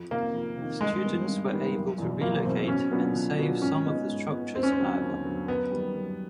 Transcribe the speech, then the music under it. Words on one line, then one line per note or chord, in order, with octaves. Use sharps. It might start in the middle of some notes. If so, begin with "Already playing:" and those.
Students were able to relocate and save some of the structures, however.
Already playing: F2
C3 D#3 A#3
F2
C3 D#3
G2 G#3
D#3 G3 B3
G2
D#3 G3 B3
F#1
E2 B2
F#1 A#3
E2 B2 C4
B2 C#4
F#3 B3 D4 F4
B2
F#3 B3 D4 F4
G#2 C#4
F3 G#3 B3 D#4
G#2
F3 G#3 B3 D#4
D#2 C4
C#4
C4
D3 F#3 B3
D#2
D3 F#3 B3
F#2 B3
D#3 G3
F#2